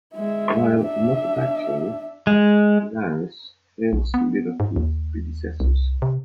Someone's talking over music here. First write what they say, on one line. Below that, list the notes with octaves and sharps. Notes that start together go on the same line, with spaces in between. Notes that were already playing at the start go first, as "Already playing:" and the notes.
While not a bad show, 'Louse' fails to live up to its predecessors.
G#3 E5
D4 E5
G#3
A#1
B3
G#2
D#2
C2
C3